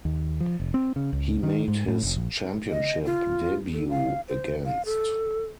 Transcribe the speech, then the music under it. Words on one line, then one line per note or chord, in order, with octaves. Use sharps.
He made his championship debut against.
D#2
F3
F1
C4
C#3
C#2
D#3
G#2
A2
F1
A#1
D#5
F4
A4
F5
C5
F5
A4